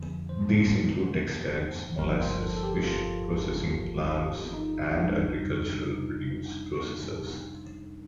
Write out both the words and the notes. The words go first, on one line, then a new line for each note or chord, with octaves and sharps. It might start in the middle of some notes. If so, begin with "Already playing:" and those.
These include textiles, molasses, fish processing plants and agricultural produce processors.
Already playing: F2 D3 F3
C5
G1 G2 F3 A#4
C5
A4
A4
G4
F4
D#4
D4
F2 C3 G3 D#4
D4
D#4